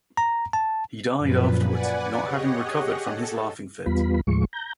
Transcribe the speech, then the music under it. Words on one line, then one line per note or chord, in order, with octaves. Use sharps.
He died afterwards, not having recovered from his laughing fit.
A#5
A5
F#2 A#2 F3 B4
B4 D5 F#5 G#5
G4 G#4 C#5 D#5 F#5
A4
E2 G3 B3 F4 B5
D#2 A2 F3 G#3 C#6
A#5 G6